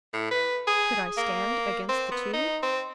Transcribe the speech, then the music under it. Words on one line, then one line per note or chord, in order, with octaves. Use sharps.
Could I stand against the two?
A2
B4
G#4
A#3
C4
B3
D#4
C4